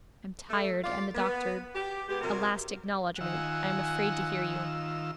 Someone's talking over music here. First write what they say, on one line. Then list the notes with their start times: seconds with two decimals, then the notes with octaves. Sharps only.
I'm tired, and the doctor--A last acknowledgment: I am afraid to hear you.'
0.49 A3
0.83 F4 D5 F5
1.15 B3
1.74 G4
2.08 G#3 B3 G4
2.21 C3 F#3 A#4
3.21 D#3 F4 F#5 G#5 E6